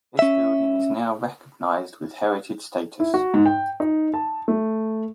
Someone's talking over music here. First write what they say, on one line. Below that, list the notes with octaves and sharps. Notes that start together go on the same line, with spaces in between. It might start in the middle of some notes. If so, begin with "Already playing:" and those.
This building is now recognized with heritage status.
C#4 E5
E4
F#4
G#2
G5
D#4
A5
A3